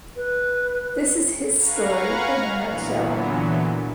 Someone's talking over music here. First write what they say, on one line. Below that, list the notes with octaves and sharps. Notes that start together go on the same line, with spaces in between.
This is his story in a nutshell.
B4
B4 F5 F#5 G#5 A#5 C#6
A#2 D3 E3 F#3 B3